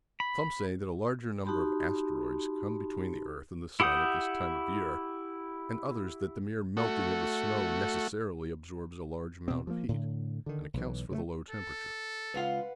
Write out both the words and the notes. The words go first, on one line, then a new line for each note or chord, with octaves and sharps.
Some say that a larger number of asteroids come between the earth and the sun at this time of year, and others that the mere melting of the snow necessarily absorbs a large amount of heat, and accounts for the low temperature.
B5
D#4 F#4 G4 A5 B5 C6
E4 G4 F#5 D#6 G6
A3 F#4
B2 C4
F3 A#3
A2 D3
D3 D#3
B1 E3
C#3 F3 A3
A4
C#2 F4 B4 F5 F#5